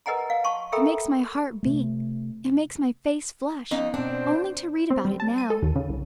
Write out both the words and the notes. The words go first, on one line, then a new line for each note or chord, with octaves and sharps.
It makes my heart beat, it makes my face flush, only to read about it now!
A#4 B4 D#5 F#5 G#5 A#5
F5
A5 C6 C#6
A4 A#4 E5 G5 A#5 B5
C3 A3
F2 B3 C#4 D#4
B2 C4 D4 C5
C4
G3
A5
D#7
A4
D#2
C#3
C2